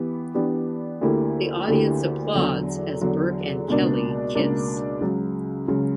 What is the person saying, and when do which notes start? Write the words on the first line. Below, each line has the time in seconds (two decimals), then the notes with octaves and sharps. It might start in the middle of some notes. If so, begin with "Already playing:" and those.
The audience applauds as Berke and Kelly kiss.
Already playing: E3 B3 G4
0.34 E3 B3 D4 G4
1.01 D2 D3 A#3 E4 G4
1.68 D2 D3 A#3 E4 G4
2.34 E2 D3 F#3
3.01 E2 D3 F#3
3.68 C#2 B2 A#3 D4
4.35 C#2 B2 A#3 D4
5.01 C#2 C#3 F#3
5.68 C#2 C#3 F#3